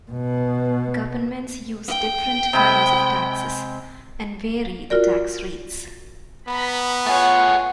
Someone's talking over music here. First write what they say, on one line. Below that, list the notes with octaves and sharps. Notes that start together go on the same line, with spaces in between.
Governments use different kinds of taxes and vary the tax rates.
B2
G5
C3 G#3 B5
F4 F#4 A#4 D5
B3 A#5 B5
A3 F4 G#4 C#5 F#5 C#6